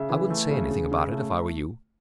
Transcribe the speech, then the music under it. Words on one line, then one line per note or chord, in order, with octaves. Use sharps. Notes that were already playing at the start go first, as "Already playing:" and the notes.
I wouldn't say anything about it if I were you.
Already playing: C#3 E5
E3
A3
C#3
C#3
C#3
A3